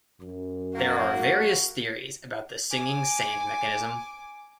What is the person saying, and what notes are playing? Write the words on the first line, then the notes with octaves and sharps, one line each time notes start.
There are various theories about the singing sand mechanism.
F#2
F#3 A#3 F#4
G#5 D6